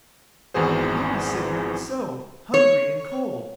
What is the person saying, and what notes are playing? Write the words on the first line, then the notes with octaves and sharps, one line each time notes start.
But you must sit here and sew, hungry and cold.
G#1 E2 E3 F#4 G#4 C5
C#5